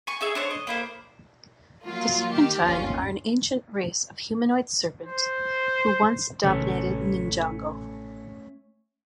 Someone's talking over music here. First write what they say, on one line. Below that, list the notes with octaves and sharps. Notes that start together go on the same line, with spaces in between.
The Serpentine are an ancient race of humanoid serpents who once dominated Ninjago.
G#5 C#6
D#4 G#4 E5
D4 C5 C#5
D#5
A#3 E4 C5
F#3 A#3 F4
D#3 G4
G1 D#2 C#4 F4
C5
A1 C3 D#3 A3 C#4